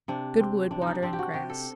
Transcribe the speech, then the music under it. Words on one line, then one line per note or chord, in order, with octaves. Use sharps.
Good wood, water, and grass.
C3 D4
C4
C3 D4
D#4
D4
C4 D4
G4
F#4
C3 G4
A4